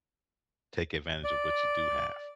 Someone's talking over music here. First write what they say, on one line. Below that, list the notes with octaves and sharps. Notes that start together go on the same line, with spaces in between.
take advantage of what you do have.
D5